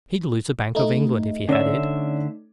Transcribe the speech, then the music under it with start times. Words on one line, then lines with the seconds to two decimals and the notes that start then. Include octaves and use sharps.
He'd lose the Bank of England if he had it.
0.75 A3 D#4
1.49 D3 C#4 C#5 D5 E5